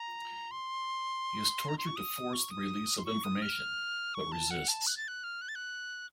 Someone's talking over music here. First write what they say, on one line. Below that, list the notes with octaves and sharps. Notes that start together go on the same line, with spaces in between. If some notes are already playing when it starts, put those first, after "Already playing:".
He is tortured to force the release of information, but resists.
Already playing: A#5
C6
A#5
C6
C#6
D#6
C#6
D#6
C6
C#6
D#6
F6
C#6
A5
F#5
A5
F#6
A6
F#6
F6
F#6
A6
F#6